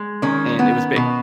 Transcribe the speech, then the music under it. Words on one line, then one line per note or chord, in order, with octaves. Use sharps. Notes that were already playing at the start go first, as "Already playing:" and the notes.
and it was big.
Already playing: G#3
D#3 C#4
B3
B2